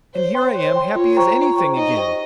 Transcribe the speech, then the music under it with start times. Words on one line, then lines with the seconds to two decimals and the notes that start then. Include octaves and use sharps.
And here I am happy as anything again.
0.14 C5 C#5
0.34 G5 C6
0.55 C5 C#5
0.76 G5 C6
0.95 F4 C#5
1.17 C5 G5 A#5 C#6
1.36 F4
1.56 C5 G5 A#5 C#6
1.76 D#4 D#5
1.97 G4 C5 G5 C#6